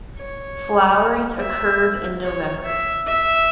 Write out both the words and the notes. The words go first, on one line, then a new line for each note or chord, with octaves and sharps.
Flowering occurred in November.
C#5
E5
C#5
E5
E5